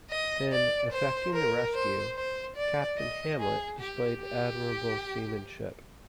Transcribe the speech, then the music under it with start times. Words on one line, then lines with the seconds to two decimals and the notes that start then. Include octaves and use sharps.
In effecting the rescue, Captain Hamlet displayed admirable seamanship.
0.10 D#5
0.51 D5
0.92 C5
1.33 A#4
1.74 C5
2.16 C5
2.56 D5
2.98 D#5
3.39 G#4
3.80 G4
4.21 G4